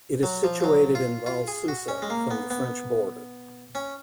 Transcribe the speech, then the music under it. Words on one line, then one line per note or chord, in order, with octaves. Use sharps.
It is situated in Val Susa, from the French border.
F#3
F3
F3
F#3
F4
F4
G#4
F#4
C#4
G#3
A#3
B3
B3
C#4